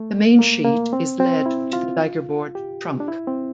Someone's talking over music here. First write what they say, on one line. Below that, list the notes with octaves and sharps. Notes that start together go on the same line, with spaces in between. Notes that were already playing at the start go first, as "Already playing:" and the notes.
The mainsheet is led to the daggerboard trunk.
Already playing: A3
A#3
A#3
C4
C4
E4
F4
G4
D4
E4
C4